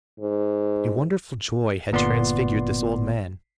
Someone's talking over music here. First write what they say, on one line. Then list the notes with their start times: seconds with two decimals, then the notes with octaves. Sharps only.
A wonderful joy had transfigured this old man.
0.20 G#2
1.92 G1 A#2 B3 D5 C6